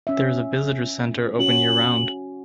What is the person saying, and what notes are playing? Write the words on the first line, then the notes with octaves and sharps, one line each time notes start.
There is a visitor center open year-round.
C#4 E5
C#4 F#4 F#7